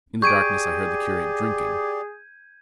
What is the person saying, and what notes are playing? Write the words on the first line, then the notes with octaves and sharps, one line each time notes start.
In the darkness I heard the curate drinking.
G4 G#4 D5 C#6 G6 G#6 D7 D#7